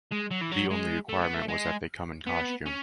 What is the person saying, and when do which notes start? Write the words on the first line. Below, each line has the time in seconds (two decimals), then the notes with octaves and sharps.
The only requirement was they come in costume.
0.12 G#3
0.31 F#3
0.41 E3
0.51 F#3
0.70 G#3
1.09 A3
1.21 B3
1.34 A3
1.48 G#3
2.27 B3
2.66 C#4